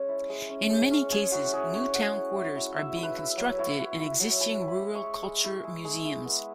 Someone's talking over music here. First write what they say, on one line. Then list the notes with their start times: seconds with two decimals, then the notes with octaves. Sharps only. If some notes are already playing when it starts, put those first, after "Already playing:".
In many cases new town quarters are being constructed in existing rural culture museums.
Already playing: G#3 C#4
0.09 E4
0.30 G#3
0.49 C#4
0.70 G#3
0.91 C#4
1.12 G#3 G#5
1.32 E4 F#4
1.53 E4 G#4
1.74 C#4 C#5
1.94 G#3 F#5
2.14 E4
2.36 E4
2.56 E4
2.76 E4 E5
2.96 E4
3.03 B4
3.17 E4
3.37 F#3
3.58 E4 C#5
3.79 E4
4.00 E4
4.20 F#3
4.40 E4 G#5
4.62 E4
4.68 B5
4.82 G#3
4.95 C#6
5.03 G#3
5.23 G#3
5.44 E4
5.64 G#3
5.85 G#3
6.05 E4
6.25 B3